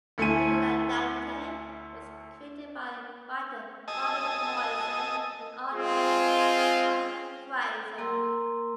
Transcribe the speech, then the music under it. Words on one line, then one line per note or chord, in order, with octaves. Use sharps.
"Nikolai Dante" was created by writer Robbie Morrison and artist Simon Fraser.
D2 A3 E4 G#5 D#7
D#5 G#5 A5 D#6 E6
G#3 C4 F4 G#4
A#3 A#4 A#5 C6 E6